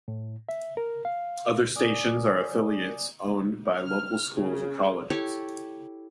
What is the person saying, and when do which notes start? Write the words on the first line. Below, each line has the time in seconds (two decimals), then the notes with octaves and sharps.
Other stations are affiliates, owned by local schools or colleges.
0.08 A2
0.49 E5
0.77 A#4
1.05 F5
1.76 D5 G#5 D6 D#6
3.76 F6
4.35 C#3
5.10 E4 G4 A4 C#5